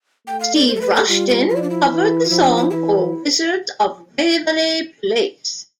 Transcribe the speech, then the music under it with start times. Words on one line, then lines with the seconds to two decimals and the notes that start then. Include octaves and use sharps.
Steve Rushton covered the song for "Wizards of Waverly Place".
0.27 A3 G5
0.40 F5
0.55 D5
0.68 C5
0.76 A4
0.81 B4
0.95 A4
1.08 G3 F4
1.29 F4
1.49 F3 F4
1.56 E4
1.63 D4
1.70 E4
1.90 E3
2.24 F4
2.30 F3 E4
2.44 D4
2.57 E4
2.70 E3 E4